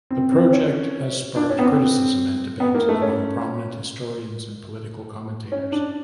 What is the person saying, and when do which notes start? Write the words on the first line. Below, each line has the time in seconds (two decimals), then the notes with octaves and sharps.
The project has sparked criticism and debate among prominent historians and political commentators.
0.11 C4
0.32 C4
0.52 C#4
1.36 D4
1.50 C#4
1.59 B3
1.63 C4
2.60 B3
2.75 A#3
2.89 A3
3.02 C#4
5.52 C#4
5.72 D4